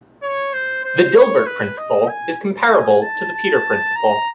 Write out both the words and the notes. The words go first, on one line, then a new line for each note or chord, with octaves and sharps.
The Dilbert principle is comparable to the Peter principle.
C#5
C5
C5
C#5
B4
D#5
G#5
G#5
A5
A5
A#5